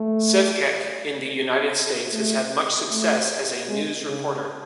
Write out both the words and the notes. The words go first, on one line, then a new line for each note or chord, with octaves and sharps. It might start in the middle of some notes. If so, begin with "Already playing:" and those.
Sevcec in the United States has had much success as a news reporter.
Already playing: A3
A3
A3
G#3
C#3